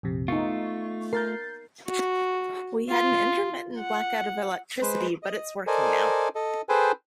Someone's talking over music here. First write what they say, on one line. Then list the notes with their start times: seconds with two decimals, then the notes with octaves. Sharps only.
We had an intermittent blackout of electricity, but it's working now.
0.03 A#1 F2 C3
0.28 A3 B3 D#4 F4 C#6
1.13 A#4 G6 A6 C7
1.87 F#4
2.89 F4
3.79 F#5
4.82 G#3 B4 C5
5.23 D#5
5.67 A4 A#4 C5 D5 D#5 G#5
6.35 A4 D#5
6.69 G#4 A4 B4 C5 G5 G#5